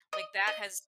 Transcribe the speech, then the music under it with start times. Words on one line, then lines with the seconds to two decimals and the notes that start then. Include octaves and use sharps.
Like, that has
0.13 D#5
0.47 D#5